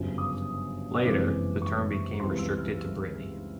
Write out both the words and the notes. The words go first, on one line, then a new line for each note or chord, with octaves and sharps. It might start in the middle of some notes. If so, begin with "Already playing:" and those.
Later, the term became restricted to Brittany.
Already playing: G1 F#2 C#3 F3
D#6
F#1 F2 C3 E3 G#3 D6
C#6
C#2 C3 E3 G3 C6
E6
F6